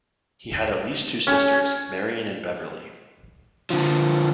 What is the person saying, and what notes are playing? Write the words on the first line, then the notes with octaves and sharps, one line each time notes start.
He had at least two sisters, Marian and Beverly.
C#4
D3 F3